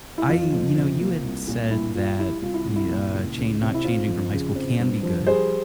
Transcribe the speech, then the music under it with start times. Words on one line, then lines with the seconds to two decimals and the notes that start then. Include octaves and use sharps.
I you know, you had said that y uh, chan not changing from high school can be good,
0.18 E4
0.29 F2 F4
0.52 F2
0.77 C3
1.00 A#3
1.24 C2
1.48 A#2
1.71 G2 E4
1.95 G2 F4
2.18 G3 E4
2.42 C2 F4
2.54 E4
2.66 C2
2.76 E4
2.90 A#2
3.13 C#2
3.37 C#2
3.61 C3
3.74 E4
3.84 C4 F4
4.08 F2
4.32 C#3
4.56 C4
4.79 G2
5.03 F3
5.26 G3 G#4 C5